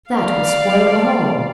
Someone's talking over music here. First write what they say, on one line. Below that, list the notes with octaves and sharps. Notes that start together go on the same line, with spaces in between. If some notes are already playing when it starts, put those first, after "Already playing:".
'That would spoil all.
D5 F5